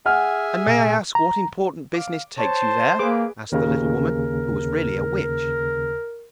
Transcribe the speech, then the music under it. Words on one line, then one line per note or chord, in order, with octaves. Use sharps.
'And may I ask what important business takes you there?' asked the little woman, who was really a witch.
G#4 E5 F#5 G#5 F6
A#2
A#5
F5 D6
C5 C#5 A5
A#3 G#4 B4 D6
D#2 C#3 A#4